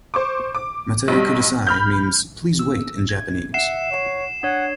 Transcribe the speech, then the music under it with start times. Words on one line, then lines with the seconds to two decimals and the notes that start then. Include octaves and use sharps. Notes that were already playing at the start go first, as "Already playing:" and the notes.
"Matte Kudasai" means "please wait" in Japanese.
0.14 C5 C#6 D6
0.55 D6
1.08 B1 G3
1.67 B5 F6 G6
2.59 E6
3.09 G#6
3.54 E5 F#5 C7 E7
3.91 C#5
4.43 D4 C#5 F#5